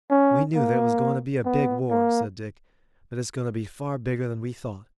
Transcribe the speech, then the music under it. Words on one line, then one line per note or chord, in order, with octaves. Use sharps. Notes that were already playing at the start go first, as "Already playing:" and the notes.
"We knew that it was going to be a big war," said Dick, "but it's going to be far bigger than we thought."
C#4
A#3
B3
A#3